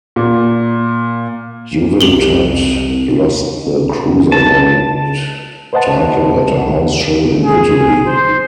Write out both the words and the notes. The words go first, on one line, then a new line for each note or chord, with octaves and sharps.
Juventud lost the Cruiserweight Title at a house show in Italy.
A#2
C2 G4 F#7 G7
A5
B4 C5 D#5 F#5 A5
G#4
C5